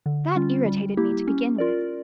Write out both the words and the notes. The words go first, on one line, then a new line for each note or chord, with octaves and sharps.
That irritated me, to begin with.
D3
G3 C#4 F4
G3
A#3 E4 G4
C#4
F4 A#4 D5